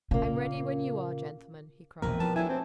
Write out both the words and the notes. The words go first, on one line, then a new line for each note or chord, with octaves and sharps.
"I'm ready when you are, gentlemen," he cried.
A#2 C#3 A#3
E1 A#1 A#3 C4 A#4 B4 G#5
E3 F3 G3 B3 A5
F#3 A3 D4 E4 G#5
C4